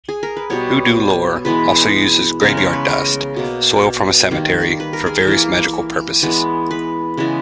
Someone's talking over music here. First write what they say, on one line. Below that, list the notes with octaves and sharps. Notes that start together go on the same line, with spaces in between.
Hoodoo lore also uses graveyard dust, soil from a cemetery, for various magical purposes.
G#4
A#4
B4
B2 G3 B3 C#5
E3 G#3 B3 B4
C#3 G#3 B3 A#4
C#5
B4
A#4
B2 A#3
D#3 G3 A#3
B4
A#4
G#4
A#4
E3 A#3
E3 G#3 B3
B4
C#3 E3 G#3 B3